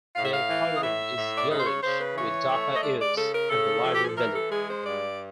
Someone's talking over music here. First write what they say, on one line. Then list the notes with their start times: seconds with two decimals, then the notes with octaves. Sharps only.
Their coloring is yellowish, with darker ears and a lighter belly.
0.16 A2 F5
0.24 E5
0.34 F5
0.49 E3
0.76 D#5
0.82 A2 E5
1.16 A2
1.38 D5
1.49 C#3 D#5
1.59 C5
1.66 C#5
1.83 C#3 C5
2.00 B4
2.16 E3 C#5
2.49 A3
2.75 D#5
2.83 G#3 D5
3.00 D5
3.17 C#3 A4
3.33 A#4
3.50 C#3 A4
3.84 F3
3.93 G4
4.02 G#4
4.09 A4
4.17 E3 A#4
4.34 A4
4.50 G#3 G#4
4.68 C5
4.84 G2 D5